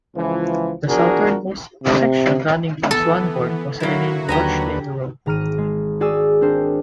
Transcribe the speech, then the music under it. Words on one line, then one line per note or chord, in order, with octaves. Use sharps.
The southernmost section running through Swanbourne was renamed Rochdale Road.
C#2 E3 F3
E2 F3 D4 F#4 G#4 A#4
C3
E3 B3 A4
F#3 A#3 E4 F#4
D#2 D3 G4 B4 G#5 A#5
G#1 A#5 F6 D#7
G#3
F#4 G#4 D5 G#5 E6
C4 D4 A#4 C5